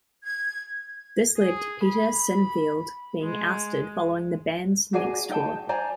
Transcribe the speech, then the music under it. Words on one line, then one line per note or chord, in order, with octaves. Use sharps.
This led to Peter Sinfield being ousted following the band's next tour.
G#6
G#4
B5
G#3
F#4 G#4 D5 G#5
D#4 G5 A5
C5 D5 G#5 A#5